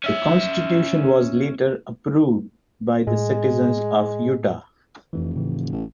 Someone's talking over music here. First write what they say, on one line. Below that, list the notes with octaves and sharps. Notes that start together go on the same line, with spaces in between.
The constitution was later approved by the citizens of Utah.
C#4 E5
A2 G#3
F1 F2 E3
A2 C#3 E3
A1